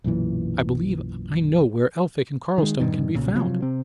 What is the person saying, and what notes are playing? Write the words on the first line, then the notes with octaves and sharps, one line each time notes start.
I believe I know where Elphick and Cardlestone can be found.
B1 F#2 A#2 E3
D#3 G#3
D#1 G#1 G2 D#3
B1 A#2 C#3
C3 D#3 F3 F#3
C3 C4